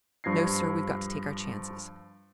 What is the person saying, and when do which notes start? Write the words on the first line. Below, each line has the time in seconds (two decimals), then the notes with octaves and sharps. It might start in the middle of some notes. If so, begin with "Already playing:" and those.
No, sir--we've got to take our chances.
0.24 G2 F3 G#6 A#6 C7